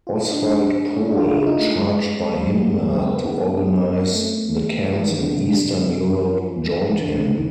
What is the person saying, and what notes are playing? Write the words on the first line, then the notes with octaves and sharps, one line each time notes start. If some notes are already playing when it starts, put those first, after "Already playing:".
Oswald Pohl, charged by Himmler to organize the camps in Eastern Europe joined him.
F4
E4
D#4
D4
C#4
D4
F4
E4
D#4
A3
G#3
F#3
G3
G#3
A#3
C4
B3
A3
F3
E3
D#3
D3
C3
D3
G3
F3
E3
D3
C#3
C3
C#3
D#3